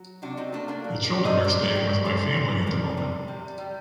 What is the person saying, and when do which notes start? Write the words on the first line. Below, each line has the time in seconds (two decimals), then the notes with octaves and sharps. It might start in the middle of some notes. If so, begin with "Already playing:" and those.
The children are staying with my family at the moment.
Already playing: F#3
0.22 C3 D4 F#4
0.37 C4 D#4
0.53 A3 A#3 D4
0.68 A#3 D4
0.84 F#3
1.05 A#4 D5
1.14 C3
1.25 C5 D#5
1.44 D3 A#4 D5
1.75 D3 G4 A#4
2.05 A3 A4 C5
2.37 A3
2.67 C3 A#4 D5
2.97 C3
3.28 G3
3.58 G3